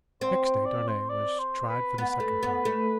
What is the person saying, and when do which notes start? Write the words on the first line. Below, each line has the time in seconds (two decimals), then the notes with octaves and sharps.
Next day Darnay was tried for the second time.
0.21 C4 C5
0.44 C5
0.66 D5
0.88 C5
1.10 D5
1.39 C5
1.69 B4
1.98 B3 B4
2.20 A3
2.43 B3
2.65 A3